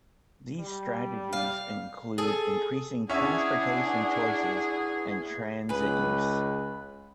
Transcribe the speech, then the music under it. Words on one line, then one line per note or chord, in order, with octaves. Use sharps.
These strategies include increasing transportation choices and transit use.
G3
F5
G#4 A4
B3 C#4 D4 E4 G#4 E5 F#5
C#2 G#4 B4